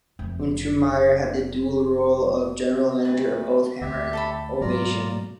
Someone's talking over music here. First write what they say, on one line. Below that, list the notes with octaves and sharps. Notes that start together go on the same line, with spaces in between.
Untermyer had the dual role of general manager of both Hamer and Ovation.
F1 F2
D2 B4
D2 G4 E5
A4 A5 B5
G#2 B2 F#3 F4 D5 A#5